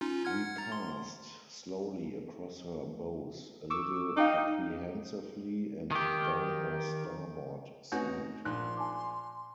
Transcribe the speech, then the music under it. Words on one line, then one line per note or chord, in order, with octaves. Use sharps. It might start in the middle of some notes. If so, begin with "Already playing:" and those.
We passed slowly across her bows, a little apprehensively, and down her starboard side.
C#4 D#4 F4
F#5 F6 G#6
A#5 A6
C6
C#6 D6 E6
D#4 F5 G5 D6
D#3 G4
A3 C4 C#4 D#4 F#4 B4
A#1 D#4 C6 F#6
G#5 A5 D6